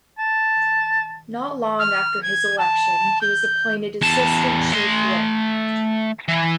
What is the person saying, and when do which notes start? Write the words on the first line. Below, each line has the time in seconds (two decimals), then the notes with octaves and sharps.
Not long after his election he was appointed assistant Chief Whip.
0.19 A5
1.79 F6
2.23 G#6
2.58 A5
3.21 G6
4.02 E2 A5
4.73 A3 C6
6.28 E3